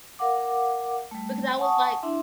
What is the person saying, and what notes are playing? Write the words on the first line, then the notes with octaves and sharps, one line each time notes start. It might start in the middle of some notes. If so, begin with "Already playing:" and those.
because I was like
A#4 F5 F#5 D6
G3 A3
F#5 G#5 A5 C#6 D#6
D4 E4 E5 C6